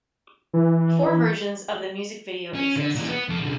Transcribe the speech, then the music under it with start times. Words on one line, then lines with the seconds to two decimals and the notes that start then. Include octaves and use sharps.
Four versions of the music video exist.
0.53 E3
2.55 C#4
2.76 D3
2.95 A#2 E3
3.09 B3
3.29 F2 A4
3.41 C2 D3